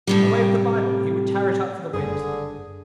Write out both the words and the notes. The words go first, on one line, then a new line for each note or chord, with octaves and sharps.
Away with the Bible: he would tear it up for the winds!
A2 C3 G3
F#1 G2 D3 G#4